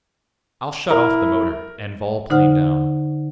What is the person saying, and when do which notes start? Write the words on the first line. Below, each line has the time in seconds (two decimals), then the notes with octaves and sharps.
"I'll shut off the motor, and vol-plane down."
0.91 E4 A#4
2.30 D3 D#4 C5 F#5 F6